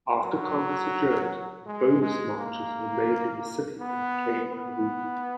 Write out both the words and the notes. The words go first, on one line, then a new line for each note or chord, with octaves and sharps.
After Congress adjourned, bonus marchers remained in the city and became unruly.
F#3
G#3
G#3
A#3
B3
B3